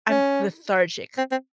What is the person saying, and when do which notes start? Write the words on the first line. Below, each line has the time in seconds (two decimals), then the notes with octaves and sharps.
I'm lethargic.
0.10 C#4
1.18 C4
1.31 C4